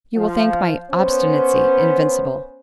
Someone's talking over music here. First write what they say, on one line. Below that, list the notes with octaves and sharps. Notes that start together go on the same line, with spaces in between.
You will think my obstinacy invincible.
F3 F5
B3 C#4 C5